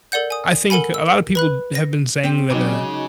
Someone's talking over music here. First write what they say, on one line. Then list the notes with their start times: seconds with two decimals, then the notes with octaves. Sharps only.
I think a lotta people have been saying that, uh
0.12 A4 A#4 D5 F#5 G6
0.30 G#5 D#6
0.70 A4 A#4 F#5 G#5 B5
0.94 E6
1.35 B4 B5 F#6
1.75 A#6
2.24 C4 G4
2.51 C#3 F#3 G#3 D#4 F#4 G#4 D6